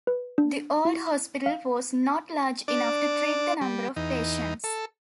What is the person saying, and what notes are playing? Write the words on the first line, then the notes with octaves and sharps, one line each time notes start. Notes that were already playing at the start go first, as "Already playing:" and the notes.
The old Hospital was not large enough to treat the number of patients.
B4
D4
E4
F5
D4 D5
G3
E2 D#4
A4